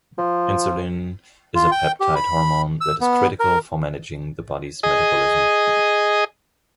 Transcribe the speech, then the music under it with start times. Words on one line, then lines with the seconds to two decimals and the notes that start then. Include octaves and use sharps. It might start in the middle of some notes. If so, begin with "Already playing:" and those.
Insulin is a peptide hormone that is critical for managing the body's metabolism.
0.18 F3
1.55 F4
1.72 G5
2.00 G4
2.16 B5
2.81 E6
3.01 B3
3.40 A#4
4.83 G#4 D#5